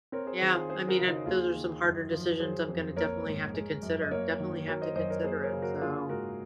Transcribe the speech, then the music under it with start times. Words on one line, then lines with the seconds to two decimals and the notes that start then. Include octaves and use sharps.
Yeah, I mean, I those are some harder decisions I'm gonna definitely have to consider, definitely have to consider it, so
0.12 C4 A#4 C#5
0.27 G#4 C5
0.41 D#3 G#4 C5
0.55 F4 G#4
0.69 C#4 G#4 C5
0.88 F#4 A#4
0.98 C#3
1.08 D#4 F#4
1.26 D#2 F4 G#4
1.55 D#3
1.84 F#2
2.12 F3
2.40 F#3 G#4 C5
2.69 F2
2.96 A#1 A#4 C#5
3.26 G#2
3.54 G#3
3.83 F#2
4.01 D#5
4.11 A#3 A#4 C#5
4.40 D#3
4.67 F#3 A#4 C#5
4.81 C5 D#5
4.96 F#2 C5 D#5
5.10 A#4 C#5
5.24 A#3 G#4 C5
5.43 A#4 C#5
5.53 C#3
5.62 F#4 A#4
5.81 A#3 F4 G#4
6.09 G#2 F#4 A#4